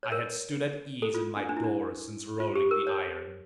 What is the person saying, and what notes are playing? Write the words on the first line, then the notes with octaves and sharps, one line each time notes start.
I had stood at ease in my door since rolling the iron.
C#5
A#4
A4
F4
D4
D4
E4
D4
F4
G4
A#4
C#5